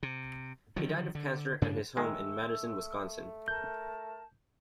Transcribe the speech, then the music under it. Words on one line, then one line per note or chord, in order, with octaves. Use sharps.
He died of cancer at his home in Madison, Wisconsin.
C3
D3 D#3 F3 F#3
D3
G2 C#3 D4
D#3 G#3 A3 E6
A#4 A5 G6